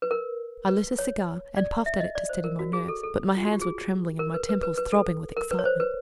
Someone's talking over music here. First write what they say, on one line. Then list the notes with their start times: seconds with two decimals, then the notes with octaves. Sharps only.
I lit a cigar, and puffed at it to steady my nerves, but my hands were trembling, and my temples throbbing with excitement.
0.02 B4
0.11 A#4
0.69 B4
0.99 C#5
1.56 D5
1.86 E5
2.00 D#5
2.15 D5
2.29 C5
2.44 A#4
2.59 F#4
2.73 G#4
2.88 A4
3.03 A4
3.35 F4
3.43 F#4
3.52 G4
3.61 G#4
4.19 A#4
4.34 B4
4.49 B4
4.63 B4
4.77 B4
4.92 A4
5.37 A#4
5.51 B4
5.59 C#5
5.65 C5
5.80 B4